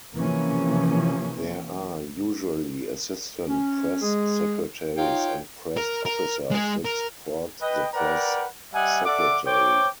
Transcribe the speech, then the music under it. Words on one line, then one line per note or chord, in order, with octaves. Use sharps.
There are usually assistant press secretaries and press officers that support the press secretary.
C3 E3 F3 A#3 C#4
C#4
G#3 G#4
D#4 F4 C#5 F5 G5
A#4
A#4
G#3 G#4
A#4
B4 D#5 G5
A#4 B4 D5 F#5 G5 A#5
G3 D#5 E5 F#5 G#5
A4 D5 E5 F#5 D6
C5 C#5 G5 D6